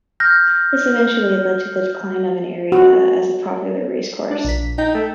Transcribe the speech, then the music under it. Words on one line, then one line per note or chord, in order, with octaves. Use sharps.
This eventually led to the decline of the area as a popular racecourse.
F6 G6 A#6
F#4
D4
A#1 B6
D#4 G5
A3